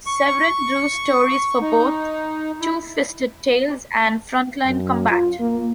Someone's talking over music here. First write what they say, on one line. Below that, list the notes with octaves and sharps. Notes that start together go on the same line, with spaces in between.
Severin drew stories for both "Two-Fisted Tales" and "Frontline Combat".
C#6
D#4
E4
F#2
F4
A#3